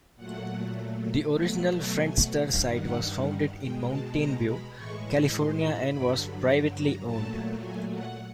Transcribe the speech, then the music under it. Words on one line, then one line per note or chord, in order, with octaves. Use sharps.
The original Friendster site was founded in Mountain View, California and was privately owned.
A#2 F#3 A3 F#5
B2 F#3 A3
G#5
F#5
G2 D#3 G3 F5
F#5
B2 G#3 G5
A5
A#5
B5
A2 E3 G#3 C#6
C6
B5
G2 D3 F#3 B5
A#5
A#2 F#3 A3 A5
G#5
F#5